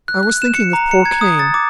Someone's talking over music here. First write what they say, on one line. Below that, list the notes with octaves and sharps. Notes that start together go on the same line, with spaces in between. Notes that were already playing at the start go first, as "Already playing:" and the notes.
I was thinking of poor Cain.
F#6
F#6
E7
C#7
A#5
C#7
G#6
D#6
A6
D6